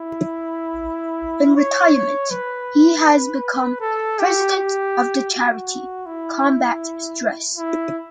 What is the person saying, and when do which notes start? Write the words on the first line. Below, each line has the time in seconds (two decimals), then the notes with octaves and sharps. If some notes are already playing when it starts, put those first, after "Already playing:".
In retirement he has become President of the charity "Combat Stress".
Already playing: E4
1.55 C#5
2.31 B4
3.81 A4
4.19 G4
4.56 G4
5.31 F#4
6.06 E4
7.57 E4